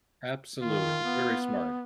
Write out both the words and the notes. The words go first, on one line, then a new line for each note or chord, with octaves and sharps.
Absolutely, v very smart.
D#3 F4
B3